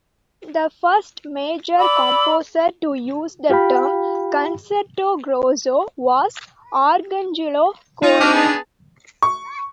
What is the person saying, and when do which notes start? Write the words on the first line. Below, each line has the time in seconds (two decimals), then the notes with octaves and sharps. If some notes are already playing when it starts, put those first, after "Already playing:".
The first major composer to use the term "concerto grosso" was Arcangelo Corelli.
1.79 D5 B5 D6 E6
3.50 F4 G4 F5 G5 B5
8.03 D#4 F4
8.21 D4 F#4 D6 F6
8.33 B3 G#4 A5
9.23 C#6